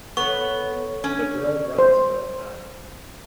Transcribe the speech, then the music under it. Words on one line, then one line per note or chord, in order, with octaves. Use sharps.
The girl runs near a pond.
B3 A4 C#5 C#6
C#4 D4
C5